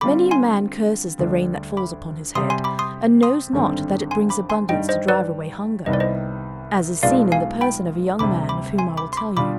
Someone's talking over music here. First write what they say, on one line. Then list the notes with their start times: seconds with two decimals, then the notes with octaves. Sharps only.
Many a man curses the rain that falls upon his head, and knows not that it brings abundance to drive away hunger; as is seen in the person of a young man of whom I will tell you.
0.01 D3 G3 C4 F4 B5 D6
0.31 G#5 C6
1.19 D2 D3 G3 D4
1.77 B5 D6
2.35 C3 G3 C4 G4 C5 C6 D#6
2.50 G#5 C6
2.64 B5 D6
2.79 C6 D#6
3.23 C6 D#6
3.52 G#1 G2 D3 G3 C4
4.11 G#5 C6
4.30 B5 D6
4.49 G#5 C6
4.69 G2 D#3 G3 D#5 G5
4.89 C5 D#5
5.08 B4 D5
5.86 C2 C3 D#3 G3 B3 D#5
5.93 D5
6.00 C5 D#5
7.03 B1 B2 G#3 B3 F4 D5 F5
7.32 F5 G#5
7.61 G5 B5
8.19 D2 C3 G3 B5 D6
8.49 B5 D6
8.78 G#5 C6
8.97 B5 D6
9.13 C6
9.17 B5 D6
9.37 B2 G3 D4 F4 B5 D6